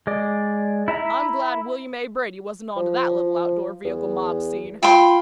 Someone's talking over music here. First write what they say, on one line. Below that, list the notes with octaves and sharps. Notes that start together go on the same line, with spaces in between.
I'm glad William A. Brady wasn't onto that little outdoor vehicle mob scene.
G#3 D5
E4 E5 A#5 B5
F3
E2
F4 G5 B5 C6